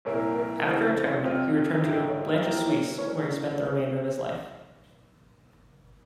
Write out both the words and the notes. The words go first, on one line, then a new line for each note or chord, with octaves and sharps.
After retirement he returned to Blanchisseuse where he spent the remainder of his life.
C2 A#2 F3 A#3 E4 C#5
A#4
F2 C#3 E3 C5
C5
F2 C3 F3 C4 F4 C#5
G#2 E3 G#3 E4 G4
C#5
E3 A#3 E4 G4 A#4
C#5
E3 A#3 C#4 C#5